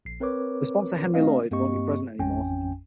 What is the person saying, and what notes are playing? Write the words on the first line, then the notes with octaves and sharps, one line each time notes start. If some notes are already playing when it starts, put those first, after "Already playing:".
The sponsor Henri Lloyd won’t be present anymore.
A#1 C7
C4 A#4 B4 C#5 D6
A3 C4 D4 D#5 F5
G2 A#3 C4 G4 D#5 C#6
A1 F2 C#4 G5 G#5